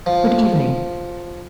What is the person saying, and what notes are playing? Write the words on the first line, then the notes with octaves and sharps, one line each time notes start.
"Good evening."
F3